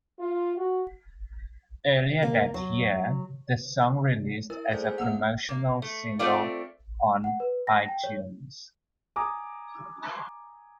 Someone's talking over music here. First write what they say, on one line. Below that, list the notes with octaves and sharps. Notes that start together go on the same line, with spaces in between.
Earlier that year, the song released as a promotional single on iTunes.
F4
F#4
A#3
F#3
E4 A#4 E6
G#4 A4 C5 D5 G#5
A#3 B3 F#5
A#3
A3
A3 C4 F4 D5
F#5
B4
A#6
G5
C#5
G#5 A#5 D6 D#6